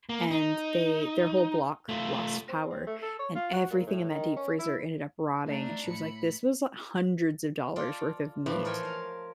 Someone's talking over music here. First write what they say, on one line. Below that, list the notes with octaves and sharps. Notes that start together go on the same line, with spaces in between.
and they their whole block lost power, and everything in that deep freezer ended up rotting, and, she was like, "This was li hundreds of dollars worth of meat."
A#3
D#4
A3 F4
C4
C4
A3
A4
C#5
F4
F#4
A#2
A2
D#3
C#4
E4
A3 D4 D#4
A2 B5 C#7
F4 A4 D5
A2 E3 F3 G3
A4 A#4 C5 C#5 G5 G#5
A#4 F5